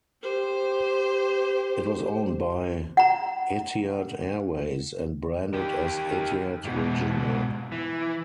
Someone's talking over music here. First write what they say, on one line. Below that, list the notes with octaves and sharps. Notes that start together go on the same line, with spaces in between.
It was owned by Etihad Airways and branded as Etihad Regional.
G4 C5
F#5 A#5
D#3 G4
G#2 B2
E3